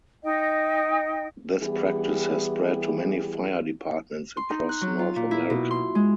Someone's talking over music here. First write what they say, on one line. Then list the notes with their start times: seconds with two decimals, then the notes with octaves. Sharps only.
This practice has spread to many Fire Departments across North America.
0.24 D#4 D#5 G5
1.61 E3 G3 B3 E4 G4 G#4
4.37 C6
4.50 D#4
4.69 F#6
4.81 F#3
4.99 F4
5.16 A#2
5.31 E4
5.50 B2
5.71 C6
5.95 G#3